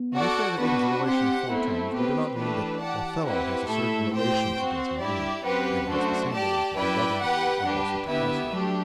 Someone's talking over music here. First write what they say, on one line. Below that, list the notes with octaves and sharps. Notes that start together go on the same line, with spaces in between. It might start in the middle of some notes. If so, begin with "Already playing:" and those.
When we say that it is a relation of four terms, we do not mean that Othello has a certain relation to Desdemona, and has the same relation to loving and also to Cassio.
Already playing: B3
F#4 A4 D5 F#5
B3 D4 F#4 B4
C4 G4 C5 F#5
A3 B3 C4 E4
B3 C4 G4 B4
E3 A3 D4 G4 B4
G4 D5 F#5 A5
C4 E4 G4 B4 F#5
A2 A3 E4 A4 E5
C4 G4 C5 G5
C4 F#4 C5
G2 E4 G4 D5
F#2 C4 G4 B4 F#5
A3 D4 F#4 C5
G4 D5 A5
F#2 E4 B4 D5 G5
E2 G4 B4 F#5
G2 D4 G4 B4
D3 B3 E4 G4 B4 E5
F#3 A3 D4 G4